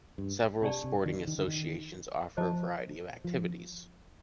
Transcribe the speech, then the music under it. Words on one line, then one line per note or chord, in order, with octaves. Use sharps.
Several sporting associations offer a variety of activities.
G2
C3 D4 G4 D5 A5
C3
D#3
D#3
D3
D#3
F3 C5 D#5 A5
F3